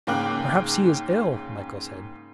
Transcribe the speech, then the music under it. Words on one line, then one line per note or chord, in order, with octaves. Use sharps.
"Perhaps he is ill," Michael said.
G#2 C#3 A#3 G5 D6 F#6